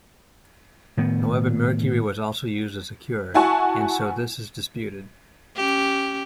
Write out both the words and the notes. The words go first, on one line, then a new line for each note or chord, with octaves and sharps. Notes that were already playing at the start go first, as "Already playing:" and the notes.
However mercury was also used as a cure, and so this is disputed.
A2 D#3 B3
E4 F#4 F#5 G#5 A5 C#6
C#4 G4